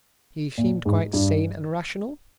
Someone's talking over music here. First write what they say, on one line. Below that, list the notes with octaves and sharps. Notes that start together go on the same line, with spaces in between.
"He seemed quite sane and rational?"
A#2
G#2
G2